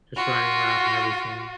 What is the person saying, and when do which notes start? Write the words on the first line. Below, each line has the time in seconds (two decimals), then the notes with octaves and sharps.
just riding around and everything.
0.16 F4 F#4